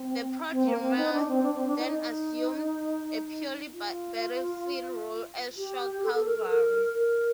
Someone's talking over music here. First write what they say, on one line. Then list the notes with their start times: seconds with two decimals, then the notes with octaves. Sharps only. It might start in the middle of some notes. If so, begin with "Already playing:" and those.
The "prodromoi" then assumed a purely battlefield role as shock cavalry.
Already playing: C4
0.52 C4
0.66 A#3
0.82 C4
0.97 D#4
1.13 D4
1.28 C4
1.43 D4
1.55 C4
1.66 D4
1.78 D#4
1.89 D#4
3.73 F4
5.57 G4
6.03 A4
6.14 A4
6.26 A#4
6.37 A4
6.48 A#4
6.95 A#4